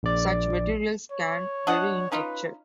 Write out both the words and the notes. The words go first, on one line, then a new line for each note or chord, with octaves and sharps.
Such materials can vary in texture.
A#1 D5
C#5
D4 D#5 F#5
C#4 D#4 F4 B4